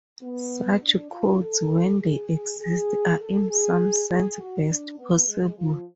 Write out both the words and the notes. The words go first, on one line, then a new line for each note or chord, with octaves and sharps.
Such codes, when they exist, are in some sense best possible.
B3
D4
F4
A4
G#4
G#4
A4
G#4
G#4
F#4
D4
B3
G#3
F3